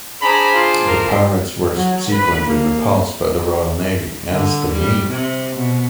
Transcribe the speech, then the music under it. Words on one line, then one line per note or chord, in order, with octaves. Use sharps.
The pirates were subsequently repulsed by the Royal Navy, hence the name.
D4 G#4 C5 A#5 B5
F4
A#4
F#3
B4
A#3
D3
G3
C3
B2